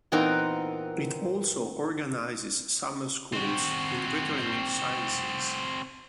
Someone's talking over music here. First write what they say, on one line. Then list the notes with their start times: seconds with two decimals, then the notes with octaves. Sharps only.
It also organises summer schools in veterinary sciences.
0.12 A#2 E3 B3 C4 D#4 A#4
3.34 C4 F#4